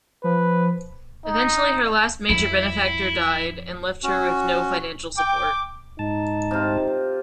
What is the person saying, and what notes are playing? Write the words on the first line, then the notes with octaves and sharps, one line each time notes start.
Eventually, her last major benefactor died and left her with no financial support.
F3 B4
D#4
F2 E4
C#4 F#4
G5 D6
G#2 D#4 A5
C3 F4